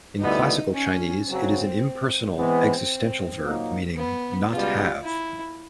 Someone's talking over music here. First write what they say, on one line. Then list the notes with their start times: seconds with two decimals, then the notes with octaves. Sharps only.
In Classical Chinese, it is an impersonal existential verb meaning "not have".
0.20 D2 D3 G3 B3 D#4 E4
0.73 C#4
1.27 F#2 C#3 F#3 C4
2.35 E3 G#3 B3 C4
3.42 A#2 F#3 A#3 D#4
3.96 B3
4.50 C#2 B2 G3 F4
5.03 E4